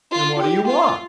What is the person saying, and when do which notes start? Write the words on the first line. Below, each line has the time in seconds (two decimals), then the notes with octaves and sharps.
"Then what do you want?"
0.11 F4
0.39 G4
0.67 F4